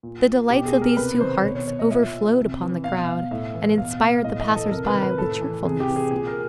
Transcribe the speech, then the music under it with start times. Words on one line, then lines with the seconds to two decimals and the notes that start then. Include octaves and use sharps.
The delights of these two hearts overflowed upon the crowd, and inspired the passers-by with cheerfulness.
0.03 A#2
0.50 B2 G4
0.66 G#4
0.81 A#4
0.97 C3 B4
1.20 D#3 C5
1.43 B2 C#5
1.55 C#5
1.67 C#5
1.79 D#5
1.91 A#2 E5
2.37 C3
2.61 E3
2.84 B2 F5
3.31 A2 E5
3.54 E3
3.77 B2 F5
4.01 F5
4.24 A2 D#5
4.40 D#5
4.47 E3
4.55 A4
4.71 C3 A#4
4.87 B4
4.94 D#3
5.03 B4
5.18 A2 A4
5.41 E3
5.65 C3 G#4
5.80 G4
5.89 E3
5.96 G#4
6.11 A#2 G#4
6.27 A#4